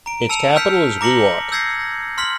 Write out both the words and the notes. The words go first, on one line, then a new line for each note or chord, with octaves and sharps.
Its capital is Wewak.
A#5 D7
A5 E6 C#7 F7
E6 F6 G6 B6 C#7
A#5 D6 A#6 C#7 F#7
E6 G6 G#6 A#6 C7 C#7
C6 F6 B6 F#7